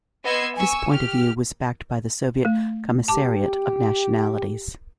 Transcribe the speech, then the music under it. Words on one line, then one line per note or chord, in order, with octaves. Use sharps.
This point of view was backed by the Soviet Commissariat of Nationalities.
B3 D#5 C6 E6 G#6 C7
G#5 C#6 E6
G4 F6
A3
G4 A5 D6